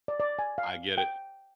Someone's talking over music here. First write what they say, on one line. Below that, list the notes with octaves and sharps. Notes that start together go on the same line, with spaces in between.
I get it
D5
D5
G#5
F5
G5